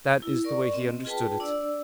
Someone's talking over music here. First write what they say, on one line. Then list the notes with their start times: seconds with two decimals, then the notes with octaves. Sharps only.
That is the way he understood it.
0.22 E4
0.44 A#4 D5 C#6
0.73 C4 D#5
1.05 F4 G#4 B4 G5 A5
1.40 D4 D5 E6